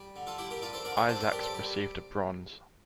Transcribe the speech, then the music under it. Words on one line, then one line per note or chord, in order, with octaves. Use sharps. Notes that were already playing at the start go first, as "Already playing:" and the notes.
Isaacs received a bronze.
Already playing: G3
D3
F4 A4
G3 E4 G4
G4 A#4
D4 F4 A4
A4 C5
D3 A#4 D5
C5 E5
D4 A4 C5
A4 C5
G3 G4 A#4
A4 C5
G3 G4